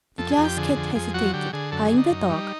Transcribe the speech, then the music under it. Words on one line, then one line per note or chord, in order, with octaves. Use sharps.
The Glass Cat hesitated, eyeing the dog.
F2 A4
G#4
F2
G4
D3 G#4
F2
F2 G#4
F#3 F#4
D3 G4
D3 G#4
F#2 A4
G#4
D3
D#4
F#2
G3